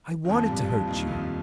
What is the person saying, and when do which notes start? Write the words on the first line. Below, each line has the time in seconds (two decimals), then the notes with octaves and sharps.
I wanted to hurt you.
0.25 D#3
0.29 F2 F3
0.48 G2 G3
0.68 F2 F3
0.87 D#2 D#3
1.07 F2 F3